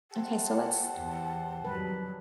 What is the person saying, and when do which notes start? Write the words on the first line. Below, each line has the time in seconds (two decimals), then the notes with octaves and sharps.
Okay, so let's
0.12 G4 C5 F#5 A5
0.97 E2
1.65 F2 D#3 F#3 G3 B4